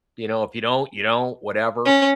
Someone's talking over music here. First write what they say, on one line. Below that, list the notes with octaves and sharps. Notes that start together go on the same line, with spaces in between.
you know, "If you don't, you don't, whatever."
C#4